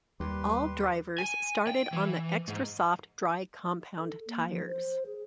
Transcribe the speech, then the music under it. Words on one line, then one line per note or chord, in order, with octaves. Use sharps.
All drivers started on the Extra Soft dry compound tyres.
D#2 G3 G4 B4 C6
G#5
G5
E3
G#2
A4
A#3
F3
C5
G#4